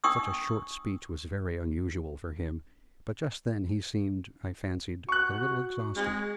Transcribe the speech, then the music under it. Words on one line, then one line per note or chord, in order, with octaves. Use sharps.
Such a short speech was very unusual, for him: but just then he seemed, I fancied, a little exhausted.
D4 G5 C#6 D#6 E6
F#4 C#6 F#6
G#3 C4